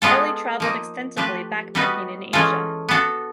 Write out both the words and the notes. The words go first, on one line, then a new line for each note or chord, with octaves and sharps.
Kelly traveled extensively backpacking in Asia.
G#3 B3 D4 F4 A4
F3 A#3 D#4
F3 A3 D4 G4 B4
G3 B3 D#4 F#4 B4
E3 G#3 C#4 F4 A4
B3 D4 F#4 A4